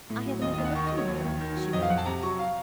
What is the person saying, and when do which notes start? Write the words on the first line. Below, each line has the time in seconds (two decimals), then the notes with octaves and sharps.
"I have never looked in a mirror," she wrote.
0.10 A2
0.26 F#3
0.42 D#2 D#5
0.53 D#2 D#5
0.64 F#5
0.75 D#3 C#6
0.86 D#5
0.92 F#3
0.97 C#5
1.07 D#2
1.24 D#2
1.41 D#3
1.56 F#3
1.73 F2 D#5
1.82 F5
1.90 F2 F#5
1.98 A5
2.05 C3 A#5
2.22 F#3 C#6
2.39 F5